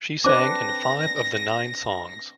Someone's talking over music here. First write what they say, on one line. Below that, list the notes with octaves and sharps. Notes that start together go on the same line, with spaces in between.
She sang in five of the nine songs.
C4 D4 B4 C5 D6 A#6